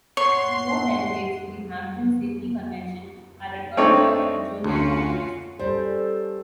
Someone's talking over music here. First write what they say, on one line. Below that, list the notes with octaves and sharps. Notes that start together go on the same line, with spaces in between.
The four delegates to the Hampden-Sydney Convention are referred to as the Junior Founders.
A2 C#5 F#5 C6 C#6 C7
A3 C4 D4 D#4 C#5 D5
D2 C#4 F4 F#4
G3 C#4 A4 C5